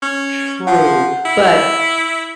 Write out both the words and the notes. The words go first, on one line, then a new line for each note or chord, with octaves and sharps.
true, but,
C#4
F3 F#5
E4